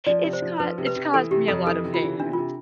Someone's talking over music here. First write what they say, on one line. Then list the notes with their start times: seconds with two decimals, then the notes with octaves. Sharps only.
It's cau it's caused me a lot of pain.
0.06 F3 D5
0.24 C3
0.33 C5
0.42 F3
0.60 F3 B4
0.78 C3
0.87 B4
0.96 C3
1.14 E3 A4
1.31 C3 G4
1.48 F2 A4
1.67 E3 A4
1.84 C3
1.94 F4
2.02 E3
2.20 C3 D4
2.33 C3 F4